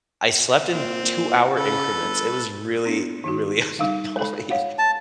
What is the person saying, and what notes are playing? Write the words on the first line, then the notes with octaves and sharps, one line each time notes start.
I slept in two-hour increments. It was really, really annoying.
A#2 C4
A#2
C#3 A4 B4
G1
B3 D4
D#3 D#4 F#4
G3 D#4 F5
G#3 A4 B5
C#5 F5 F#5
A5